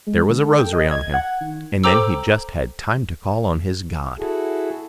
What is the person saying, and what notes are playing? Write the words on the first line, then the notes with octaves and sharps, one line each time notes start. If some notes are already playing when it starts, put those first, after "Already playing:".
"There was a rosary on him; and then he just had time to call on his God."
G#3
D3
A4
G5
D#5
G#6
F#5
D#3
A4 C5 G5 A#5 D6 E6
E4 F#4 G#4 A4